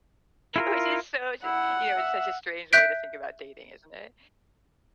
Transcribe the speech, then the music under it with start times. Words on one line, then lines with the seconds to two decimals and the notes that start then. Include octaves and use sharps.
Which is so y you know, it's such a strange way to think about dating, isn't it,
0.56 E4 F4 A#4
1.44 E4 F#5
1.96 E5
2.73 E5 F#6 G6 B6 D7